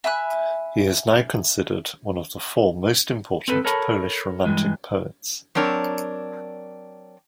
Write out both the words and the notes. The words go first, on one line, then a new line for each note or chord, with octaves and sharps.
He is now considered one of the four most important Polish Romantic poets.
E5 G#5 B5 F#6
C4 A4 B4
A4 A#4 C#5 A5 B5
G2 E3 G#3
F#3 C4 D4 A#4 C#5